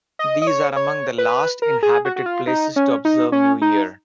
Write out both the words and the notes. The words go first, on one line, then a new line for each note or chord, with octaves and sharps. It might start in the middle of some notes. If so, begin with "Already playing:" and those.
These are among the last inhabited places to observe New Year.
D#5
D#5
C#5
C#5
B4
A#4
G#4
F#4
F#4
F4
D#4
C#4
D#4
C#4
D#4